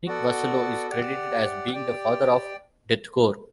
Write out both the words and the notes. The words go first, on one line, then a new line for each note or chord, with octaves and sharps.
Nick Vasallo is credited as being the father of "deathcore".
B3 F#4 A4 D5 F#5
G4 D5 F#5
G4 D5 G5